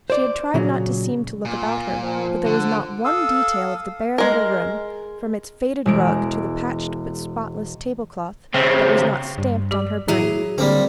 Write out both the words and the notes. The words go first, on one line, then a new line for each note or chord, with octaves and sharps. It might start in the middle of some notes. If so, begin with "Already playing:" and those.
She had tried not to seem to look about her; but there was not one detail of the bare little room, from its faded rug to the patched but spotless tablecloth, that was not stamped on her brain.
C5 D5
A#2 C#3 F#3
A#2
F3
D3
A4 F5 D#6 E6
G#3 A#4
E1 G#3 D7
C#3 C4
G2
G4 D5 D6
A2 F#3 E4 G#4 A#5
D3 G3 A#3 C4